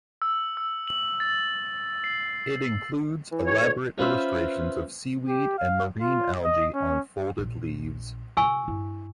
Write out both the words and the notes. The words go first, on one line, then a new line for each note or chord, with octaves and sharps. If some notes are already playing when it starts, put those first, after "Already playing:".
It includes elaborate illustrations of seaweed and marine algae on folded leaves.
E6
E6
F#7
A6
C7
E3
C#5
D2
C#4 F4 B4 C5 E5
G4
F5
F4
D#5
C#4
A#1
C3 F4 G#5 C#6 E6
G2 E4